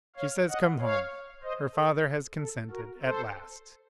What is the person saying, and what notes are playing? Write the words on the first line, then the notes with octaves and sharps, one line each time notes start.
"She says come home--her father has consented, at last."
C#5 F5
D#5 F#5
C#5 F5
C5 D#5
A4
A4
F#4 A#4
A4 C5